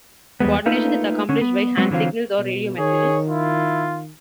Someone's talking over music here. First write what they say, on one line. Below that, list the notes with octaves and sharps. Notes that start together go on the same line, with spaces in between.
Co-ordination is accomplished by hand signals or radio messages.
E2 G3 G#3 B3
A3 A#3 D#4 F4 A4 B4
D3 C#4
B3
F#3 G#3 B3 C4
D3 E3 F#3 C4 F4
B2
D#3 G#4 C#5
E4 F4